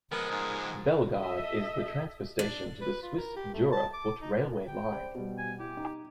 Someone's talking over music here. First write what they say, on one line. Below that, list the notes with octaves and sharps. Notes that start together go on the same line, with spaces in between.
Bellegarde is the transfer station to the Swiss Jura foot railway line.
F3 G#3 B3 A#4
G#2
A4 D#5 E5
D4
B4
F4
A#4
G4
A3
A5
D6
D#4
B3
G5
C5 D5 B5
B2 G3
G#5
E4 G4
D#4